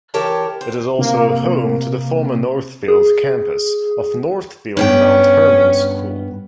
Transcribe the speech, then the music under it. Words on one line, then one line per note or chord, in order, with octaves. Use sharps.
It is also home to the former Northfield campus of Northfield Mount Hermon School.
E3 G4 A#4 C#5 G5 A5
C5
C3 A#3
G#4
G2 B3 C#4 G5